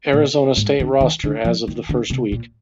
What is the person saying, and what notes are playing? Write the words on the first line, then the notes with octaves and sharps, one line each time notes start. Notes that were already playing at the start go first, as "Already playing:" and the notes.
Arizona State roster as of the first week.
A#2
G#2
D3
D#3
D3
F3
D#3
D3
C3
A#2